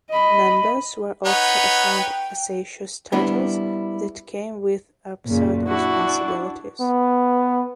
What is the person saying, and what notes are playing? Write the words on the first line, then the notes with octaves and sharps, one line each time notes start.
Members were also assigned facetious titles that came with absurd responsibilities.
D#5 B5
D#4 B4 C#5 F#5
G5
G3 B3 D4 E4
F#2 A#2 C#3
D4 E4 F#4
B3